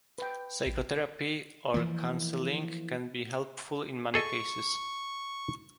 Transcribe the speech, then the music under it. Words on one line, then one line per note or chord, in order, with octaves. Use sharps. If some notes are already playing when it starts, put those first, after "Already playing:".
Psychotherapy or counseling can be helpful in many cases.
B4 G5
A1
E3 F3 A#3
G#4 A4 D#5 C#6